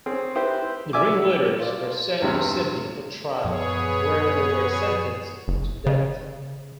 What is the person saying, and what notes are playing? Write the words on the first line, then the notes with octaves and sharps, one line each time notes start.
The ringleaders were sent to Sydney for trial, where they were sentenced to death.
C4 C#4 G#4
E4 G4 B4 C5
D5 E5 G#5 D6
F4 D5
E2 G2 C3 G#3
F#2 A#2 F3 B3 G#4 C#5
F#1
C#3